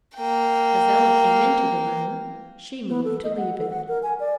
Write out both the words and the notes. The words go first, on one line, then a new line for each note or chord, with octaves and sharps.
As Ella came into the room, she moved to leave it.
A#3 G5
B3
A4
D#5
F#5
A4
F#5
A#4
G#5
D5